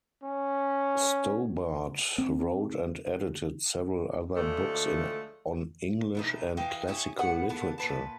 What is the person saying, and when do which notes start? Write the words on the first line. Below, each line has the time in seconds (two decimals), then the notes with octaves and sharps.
Stobart wrote and edited several other books on English and Classical literature.
0.23 C#4
2.18 C4
4.36 D2 D3 F3 G#3 A3
6.15 B2 E3 D#4
6.57 E3 D#4 F5 G5
6.88 C#4 E4 G#4
7.19 A2 B3 F#5
7.49 A#3 B3 D4
7.78 A#2 B4 A5